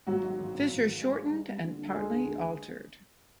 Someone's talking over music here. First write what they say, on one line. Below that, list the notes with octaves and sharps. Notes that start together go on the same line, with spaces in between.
Fischer shortened and partly altered.
G#1 F#3 F#4
G#2
G#1
G#1
G#1
G#1
G#3
G#2
G3
G3
D3
D3
A4
D2 G#3 G#4
D3
D2